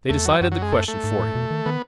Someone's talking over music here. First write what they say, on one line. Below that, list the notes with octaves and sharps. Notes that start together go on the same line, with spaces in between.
They decided the question for him.
E2 A3
F#3
F#2 F#3
F#3
G#3
A3
A3
G#2
A2
B2
D#3
D#3 B3